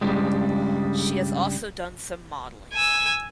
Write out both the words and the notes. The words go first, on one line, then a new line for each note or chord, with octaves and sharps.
She has also done some modeling.
G2 A#2 C#3 G3 G#3
G#5 E6